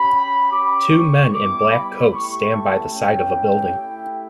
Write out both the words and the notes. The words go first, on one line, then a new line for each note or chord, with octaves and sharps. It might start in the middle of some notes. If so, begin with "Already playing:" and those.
Two men in black coats stand by the side of a building.
Already playing: C#4 G4 B5
C#4 G4 D6
C#6
G3 B3 E4 G4 D6
B5
A3 E4 G4 C#6
A5
C#4 E4 G4 G5
A3 E4 G4